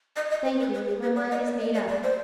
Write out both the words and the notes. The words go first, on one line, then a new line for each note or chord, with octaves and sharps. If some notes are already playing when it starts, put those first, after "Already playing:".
'Thank you, my mind is made up.'
D#5
D#5
C5
B4
B4
G#4
B4
D5
D#5
D5
D#5
D5
D5
C5